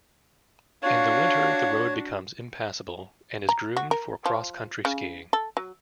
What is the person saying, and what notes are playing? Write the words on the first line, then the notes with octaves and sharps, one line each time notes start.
In the winter, the road becomes impassable, and is groomed for cross country skiing.
D4 F#4 C#5 F5
A#5
F#4
A#4
F3
C#3
A4
F#3